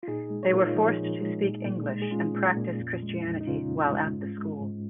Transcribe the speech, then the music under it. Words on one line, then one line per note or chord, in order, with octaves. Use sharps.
They were forced to speak English and practice Christianity while at the school.
F4
A#2 D#4 G#4
G#3
C#5
A#2 F4 A#4
D#4
F4
F3 D#4 G#4
A#2
G#3
A#2
A#2
G#3
G#4
G#3 C#4 F4
A#2
A#2
F2
G#3
F2
D#4
C#3 C#4 F4
F2
G#3
G#2
G#3
G#2